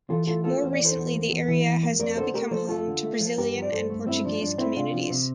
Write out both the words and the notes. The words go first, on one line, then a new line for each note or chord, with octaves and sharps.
More recently the area has now become home to Brazilian and Portuguese communities.
E3 F4 A4
A2 F4 A4
A#3 F4 A4
E2 C5
D5
E3
A4 C5
E2
A#3
E2
E3
E2
A#3
F2 A#4 D5
D3 A4 C5
A3 G4 A#4
F3 A4 C5
F2 F4 A4
D3
A3
F3
G2 G4 A#4
F3
D5
G2 A4 C5
A3
G2 C4 E4
F3 D4
G2 D4
A3 C4 E4
C3 D4 F4
F3
C3